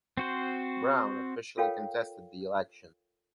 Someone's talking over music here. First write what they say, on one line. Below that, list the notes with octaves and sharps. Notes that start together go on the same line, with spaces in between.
Brown officially contested the election.
C4 F#4 C5
F4 A4 A#4 C#5 F5 G5